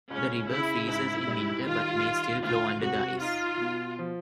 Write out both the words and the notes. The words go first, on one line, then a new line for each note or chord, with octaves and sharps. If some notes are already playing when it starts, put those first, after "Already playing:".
The river freezes in winter but may still flow under the ice.
C#2 C#4
C#3 E4
G#2 E4
G3
D#3 F4
D#3
D2 F4
C3 F#4
D#4 F4
B2
F3